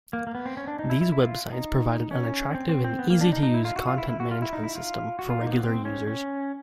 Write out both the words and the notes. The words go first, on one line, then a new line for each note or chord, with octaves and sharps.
These websites provided an attractive and easy-to-use content management system for regular users.
A#3
A#3
B3
C4
C#4
D4
D#4
E4
E4
E4
F4
D#4
C#4
C4
C4
C4
B3
A#3
D4
D#4
D#4
E4
F4
F#4
F4
E4
E4
F#4
F4
E4
D#4
E4
F4
F#4
F4
D#4
A#3
B3
C4
C#4
C#4